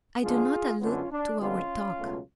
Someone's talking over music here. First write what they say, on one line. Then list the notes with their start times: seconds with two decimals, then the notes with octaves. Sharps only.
"I do not allude to our talk."
0.22 D2 D3 F3 G#3 B3 F4 G#4
0.81 F#2 D3 G#3 B3 C#4 F4
1.11 D4
1.39 F2 D3 G#3 B3 C#4 F4
1.98 C#2 B2 F#3 A3